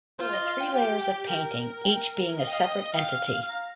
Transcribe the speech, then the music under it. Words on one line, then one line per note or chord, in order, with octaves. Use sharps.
There are three layers of painting, each being a separate entity.
F4 C5
D#5
F5
G5
G4 G5
G5
A#4 G5
G5
D#5 F5
G5
F5
G5
F5 G5
A#5